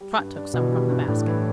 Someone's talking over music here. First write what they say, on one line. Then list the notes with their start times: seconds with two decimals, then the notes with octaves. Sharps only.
Trot took some from the basket.
0.01 G3
0.19 G2
0.37 D4
0.54 B2 E3
0.73 G3
0.90 G2
1.08 A2 D4
1.26 E3